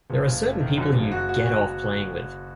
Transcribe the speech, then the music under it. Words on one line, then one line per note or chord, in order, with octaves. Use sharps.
There are certain people you "get off" playing with.
F#1
F#1
A3
D#3
F#2
F#1
F#4
F#4
F#4